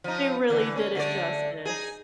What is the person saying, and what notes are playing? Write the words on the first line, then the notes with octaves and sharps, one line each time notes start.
They really did it justice.
F3 D#4
D3 E3
C#4
D3 A3 D5
D#4 G#4